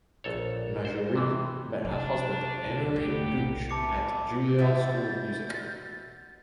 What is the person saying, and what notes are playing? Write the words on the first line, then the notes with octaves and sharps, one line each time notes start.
Marjorie met her husband Emery Deutsch at the Julliard School of Music.
A#1 A4 C#5
C5
C3 E3
C3 F3 F#3 A3 D4
D#2
F#3 A3 B3 G4
B1 A2
F#2 E3 A5 D6 C#7
B2 E3 F#4 E5 G6 A6